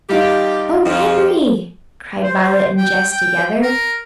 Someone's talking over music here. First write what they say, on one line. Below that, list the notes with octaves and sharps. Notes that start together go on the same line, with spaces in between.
"O Henry!" cried Violet and Jess together.
G3 D#4 F4 G4
F2 F3
C5
G5
G5
A#4